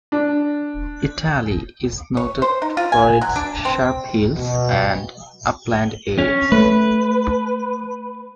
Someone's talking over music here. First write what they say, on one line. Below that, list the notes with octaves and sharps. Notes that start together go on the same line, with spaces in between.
Italy is noted for its sharp hills and upland areas.
D4
C#5
C5
D#4
F4
G#5
F#3
D4
C4
B2
C#4
A3 B4